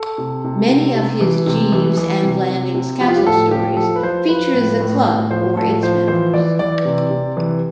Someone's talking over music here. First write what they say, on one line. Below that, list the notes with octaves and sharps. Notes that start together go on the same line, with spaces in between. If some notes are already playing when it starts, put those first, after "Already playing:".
Many of his Jeeves and Blandings Castle stories feature the club or its members.
Already playing: A4
C3
C3
C3
C3
E3
C3
E3
E3
C3
C3
C3
F3 G4
F4
G4
A2 A4
F3 G4
F3 A4
B4
F3 C5
F3 B4
A2
A2
A2
F3 C5
A2 A4
F3 C5
E3 C5
E3 D5
E3 D5
C3
C3
E3